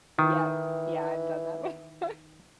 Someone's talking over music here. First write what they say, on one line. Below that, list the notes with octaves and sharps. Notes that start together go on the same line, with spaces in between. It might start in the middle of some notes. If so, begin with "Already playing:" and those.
Yep, yeah, I've done that before.
D#3 E3